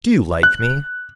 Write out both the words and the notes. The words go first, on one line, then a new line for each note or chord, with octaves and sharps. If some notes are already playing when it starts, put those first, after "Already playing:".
"Do you like me?"
F#6